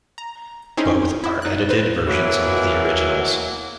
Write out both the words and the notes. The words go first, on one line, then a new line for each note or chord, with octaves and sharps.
Both are edited versions of the originals.
A#5
C4 C#4 D#4 E4 G#4 C5
E4
D#4 F#6
B4 C5
B2 E3 F#3 A#3 E4